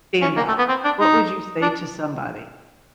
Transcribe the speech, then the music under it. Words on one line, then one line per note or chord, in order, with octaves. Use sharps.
stand up? What would you say to somebody?
C#4
A#3
A3
B3
C4
D4
D#4
D4